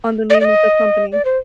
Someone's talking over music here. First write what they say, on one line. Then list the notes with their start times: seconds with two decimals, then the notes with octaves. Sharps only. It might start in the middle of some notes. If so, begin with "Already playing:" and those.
on the name of the company.
0.30 D5
0.34 D#5
0.40 D5
0.45 D#5
1.12 D5
1.25 C5